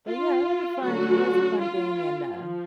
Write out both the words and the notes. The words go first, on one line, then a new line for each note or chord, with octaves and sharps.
But, yeah, it was a fun it was a fun thing, and, uh
F4
D3 F#3 A3 C#4 F#4
F4
F3